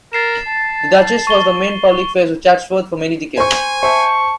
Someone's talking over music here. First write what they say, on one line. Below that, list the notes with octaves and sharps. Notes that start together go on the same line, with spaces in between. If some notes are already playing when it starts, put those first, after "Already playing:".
The Duchess was the main public face of Chatsworth for many decades.
A#4 A6 C7 E7
A5
C#6 G7
C5 G#5 C#6
C5 E5 A5 C#6